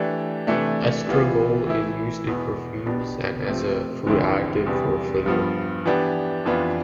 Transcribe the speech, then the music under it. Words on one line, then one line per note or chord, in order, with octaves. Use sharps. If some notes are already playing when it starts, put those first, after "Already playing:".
Estragole is used in perfumes and as a food additive for flavor.
Already playing: E3 A3 D4 G4
C3 E3 A3 D4
C3 E3 B3 F4
E3 A3 E4
E2 B2 B3
B2 B3 D4 G4
C3 F3 A3 C4
E2 D3 F3 C4 E4
E2 C3 G3 B3 D4
G2 F3 B3
E3 B3 D4 G4
F2 E3 B3 D4 F4